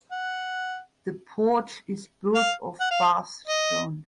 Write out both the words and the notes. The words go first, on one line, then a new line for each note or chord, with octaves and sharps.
The porch is built of Bath stone.
F#5
F5
F#5
F5
D#5